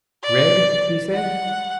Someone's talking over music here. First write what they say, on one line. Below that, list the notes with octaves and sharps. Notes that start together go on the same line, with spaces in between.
"Read?" he said.
D5
F#5